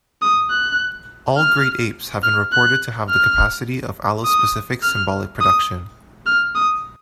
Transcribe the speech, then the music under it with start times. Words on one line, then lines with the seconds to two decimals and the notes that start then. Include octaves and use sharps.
All great apes have been reported to have the capacity of allospecific symbolic production.
0.22 D#6
0.51 F#6
1.37 F6
2.23 F6
2.52 F#6
3.10 F6
4.25 D#6
4.82 F6
5.40 D#6
6.26 F6
6.55 D#6